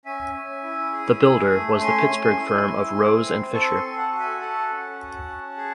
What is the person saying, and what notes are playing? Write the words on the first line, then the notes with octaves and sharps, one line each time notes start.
The builder was the Pittsburgh firm of Rose and Fisher.
C#4 E5 G#5
C#4
E4
G#4
G#4
A3
C#4 G#5 C6
C#4
E4
E4
C4
C4
A4 A5 C#6
G#5 C6
A4
F#5 A5
F#4
E5 G#5
A4 F#5 A5
C#4
F#4
C#4
G#4